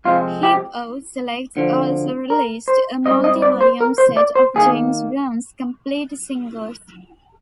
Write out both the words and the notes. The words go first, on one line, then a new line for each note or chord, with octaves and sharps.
Hip-O Select also released a multi-volume set of James Brown's complete singles.
F2 C3 F3 G#3 C4 F4
G4
D2 D3 F3
A#4
C5
G#2 G3 C4 D#5
D#5
D5
C5
A#4
C5
D5
C5
D#2 D#3 A#3 G#4